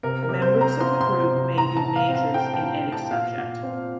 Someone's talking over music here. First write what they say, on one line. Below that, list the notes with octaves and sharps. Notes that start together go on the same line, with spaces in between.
Members of the group may be majors in any subject.
C3 A#4
A#4
C3
C5
C4
A#5
F3 C6
C6
C3
C3
A2 A#5
A5
A2
F5
C4
F5
F3 G5
A5
A2
A2
A5
A#2 F5
A#2
C4